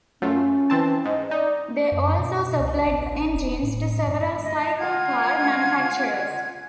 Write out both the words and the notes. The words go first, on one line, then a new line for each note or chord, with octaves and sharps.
They also supplied the engines to several cyclecar manufacturers.
F#2 A3 C#4 F4
E3 C4 A5
G#2 D#5
D#4 D5
F#2
B2
C#2
A1
E1
A2
G2
D#5
F4 F#5 G#5 G#6